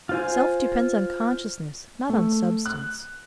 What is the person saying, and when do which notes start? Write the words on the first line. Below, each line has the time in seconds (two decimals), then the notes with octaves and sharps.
Self depends on Consciousness, not on Substance.
0.09 F4 C5 G#5
2.09 A3
2.66 F#6